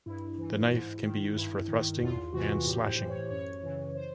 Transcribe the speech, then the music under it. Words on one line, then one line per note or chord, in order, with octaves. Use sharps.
The knife can be used for thrusting and slashing.
G2 E4
E3
G#2
D#3
G2 E4
D#3
E2 F4
C3 E3 F#4
A2 G4
C5
E3
C#5
F#2 C#5
C#3 E3
C5